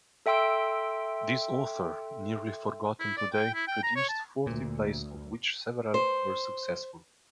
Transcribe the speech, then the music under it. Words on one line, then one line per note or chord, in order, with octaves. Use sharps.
This author, nearly forgotten today, produced forty plays of which several were successful.
A4 E5 G5 C6 E6 D7
E4
D5
G5
E4
G5
A#5
C#5
A5
D2 A#2
C5